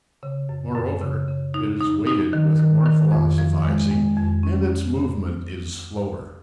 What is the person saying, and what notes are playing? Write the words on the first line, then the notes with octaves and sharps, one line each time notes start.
Moreover, it is weighted with more philosophizing, and its movement is slower.
C#3
F#2
F#2
C#3
C#3
D#4
D#4
D#4
D#3
D#3
D#3
F2
F3
G#3
G#3
F2
C#4